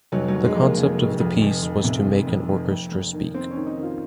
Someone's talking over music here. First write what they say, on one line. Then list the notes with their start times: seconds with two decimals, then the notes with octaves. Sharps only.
The concept of the piece was to "make an orchestra speak".
0.12 F1 F#3
0.28 F#3
0.34 F1
0.45 G#3
0.55 F2
0.61 A#3
0.77 F1 A#3
0.98 F1
1.20 F2
1.42 F1
1.62 F1
1.84 C3
2.05 F1
2.27 F2
2.49 F1
2.70 F2
2.91 F2
3.13 D#3
3.34 D#3 C4
3.51 C#4
3.56 D#3
3.67 D#4
3.77 D#3
3.83 F4